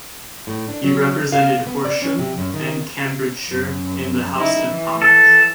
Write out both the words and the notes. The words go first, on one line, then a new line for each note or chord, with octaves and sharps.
He represented Horsham and Cambridgeshire in the House of Commons.
A2
D4
F#3
F5
B3
D5
C#4
C3
F#2
D#3
F#2
D#4 E4 E5
E3
A4